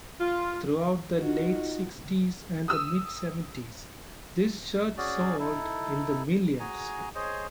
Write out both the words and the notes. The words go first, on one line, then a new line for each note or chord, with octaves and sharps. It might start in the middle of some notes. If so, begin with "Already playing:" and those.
Throughout the late sixties and mid seventies this shirt sold in the millions.
F4
D#4 F4 F#4
D#6 E6
C#4 F#4 G#4 D5
D#4 E4 A4
F#4 G#4 G#5 A#5
G#4 C5 C#5 D#5